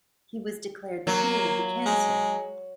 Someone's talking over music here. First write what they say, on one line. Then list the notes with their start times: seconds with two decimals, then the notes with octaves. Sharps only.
He was declared cured of the cancer.
1.07 F#3 A#3
1.86 G#3